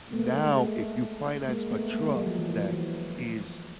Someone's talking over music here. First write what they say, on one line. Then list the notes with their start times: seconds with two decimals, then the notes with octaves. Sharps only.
Now, if you finance a truck that is
0.12 A3 B3
0.19 A#3
0.24 A3
0.35 G#3
0.47 G#3
0.58 A3
1.48 G#3 A#3
1.71 A3 B3
1.93 G#3 A#3
2.04 G#3 A#3
2.15 F#3
2.27 F3
2.39 E3
2.50 F3
2.61 F#3
2.73 E3